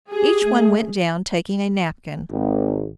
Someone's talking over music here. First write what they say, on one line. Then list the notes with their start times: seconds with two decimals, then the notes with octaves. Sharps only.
Each one went down, taking a napkin.
0.13 G4 G#4
0.44 A3
2.31 G#1